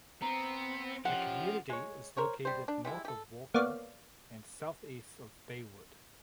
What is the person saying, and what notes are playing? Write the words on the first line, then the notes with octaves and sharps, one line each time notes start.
The community is located north of Walker and southeast of Baywood.
B3 C4 A#5
F3 C#4 G4 F#5
G#3 C#5
A#4 C5 C#5
G3 C5
D4
G3 G#3 E4
G4 A4
A#3 B3 C#5 D5 F5